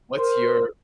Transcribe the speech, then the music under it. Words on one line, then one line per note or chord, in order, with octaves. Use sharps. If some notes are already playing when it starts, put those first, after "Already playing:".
What's your
A#4 C5